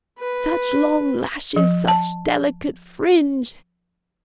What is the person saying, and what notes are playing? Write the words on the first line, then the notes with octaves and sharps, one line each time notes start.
Such long lashes, such delicate fringe!
B4
F3
A5